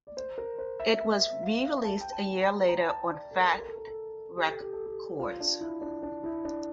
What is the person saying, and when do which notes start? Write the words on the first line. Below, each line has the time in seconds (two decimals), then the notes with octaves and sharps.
It was re-released a year later on Fat Wreck Chords.
0.07 D5
0.17 C5
0.38 A#4
0.58 C5
0.80 E5
1.01 E5
1.22 E5
1.43 F5
1.63 F5
1.84 A5
2.01 G5
2.12 A5
2.40 A#5
2.68 A#5
2.89 A5
3.10 D5
3.31 A4
3.41 A#4
3.50 A4
3.59 A#4
3.68 A4
3.78 A#4
3.87 A4
4.36 G4
4.48 A4
4.60 G4
4.73 A4
4.86 G4
5.19 F4
5.40 D4
5.61 E4
5.82 D4
6.03 D4
6.24 E4
6.45 D4